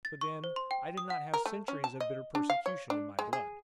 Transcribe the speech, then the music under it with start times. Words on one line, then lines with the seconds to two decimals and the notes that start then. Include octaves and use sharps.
But then I did not have centuries of bitter persecution in my blood.
0.05 A6
0.21 C#6
0.44 C5
0.56 C6
0.71 G5
0.97 D#6
1.10 F#5
1.34 A#4
1.46 A3
1.68 C#4
1.84 A5
2.00 D#5
2.35 D4
2.50 F5
2.66 C#5
2.90 D4
3.19 G#3
3.33 G#4